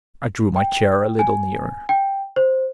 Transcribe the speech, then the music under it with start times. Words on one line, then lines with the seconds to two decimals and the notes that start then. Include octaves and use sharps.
I drew my chair a little nearer.
0.56 G5
1.19 G#5
1.89 G5
2.36 C5